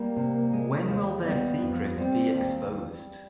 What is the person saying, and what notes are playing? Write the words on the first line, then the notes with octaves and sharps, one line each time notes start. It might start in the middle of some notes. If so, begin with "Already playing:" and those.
When will their secret be exposed?
Already playing: G3 A#3
C3
G#3
D#2
G3 B3
F2
G3 C4
D#2
G3